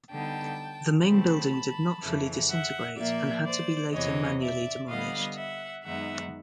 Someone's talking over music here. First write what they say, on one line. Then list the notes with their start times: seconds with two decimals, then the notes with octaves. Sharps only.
The main building did not fully disintegrate and had to be later manually demolished.
0.11 D3 G3 B3 D#4 G5 A5
1.06 C#3 E3 A3 C4 A5 B5
2.02 F2 C#3 E3 A3
2.50 E5 F#5
2.97 A#2 F3 A#3 D5 E5
3.45 C5 D5
3.93 E2 C3 E3 C#5 D#5
4.40 D5 E5
4.88 D3 G3 B3 D#5 F5
5.35 E5 F#5
5.83 F#2 D#3 G#3 B3 D#4 E5 F#5